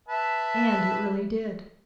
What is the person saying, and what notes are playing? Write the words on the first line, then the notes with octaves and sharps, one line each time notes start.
And it really did.
B4 E5 A5